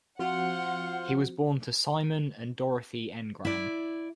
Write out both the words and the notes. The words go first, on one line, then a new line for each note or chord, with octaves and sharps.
He was born to Simon and Dorothy Engram.
F3 C4 F4 F#4 C5 F#5
E4 D5